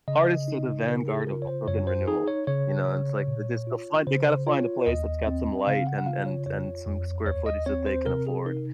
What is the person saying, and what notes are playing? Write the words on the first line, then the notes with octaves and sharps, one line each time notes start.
artists are the vanguard of urban renewal. You know? And it's like, this they'll find they gotta find a place that's got some light and and and some square footage that they can afford,
C#3 D#5
D#4
C#3 A#4
G#4
F4 A#4
C#5
C5
F#2 C#5
C5
D#4 G#4
C#5
C#3 C#5
C#3
A#2
F4
C#3 C5
F4 C#5
D#2 D#5
C4
C#3 F5
F#5
F#5
F4 F5
C#5
F2 C#5
F2
D#2 C#5
D#5
C4 C#5
C5
C3 A#4
G#4
D#4 A#4